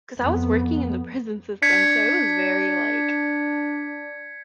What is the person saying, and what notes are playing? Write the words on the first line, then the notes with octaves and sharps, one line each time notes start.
'cause I was working in the prison system, so it was very, like,
F2 B3
D4 G#6 B6 C#7